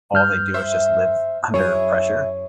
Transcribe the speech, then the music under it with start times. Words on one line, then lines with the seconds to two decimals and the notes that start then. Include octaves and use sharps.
all they do is just live under pressure?
0.14 G2 F6 G6
0.54 C5 E5
1.54 F#2 E4 G#4 C#5